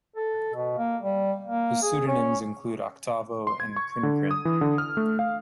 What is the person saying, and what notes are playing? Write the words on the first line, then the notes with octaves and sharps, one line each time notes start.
His pseudonyms include Octavo and Crincrin.
A4
B2
A#3
G3
A#3
G#4
C#4
C6
G#6
C#6
D3
D#6
E3
D3
F6
A3
F5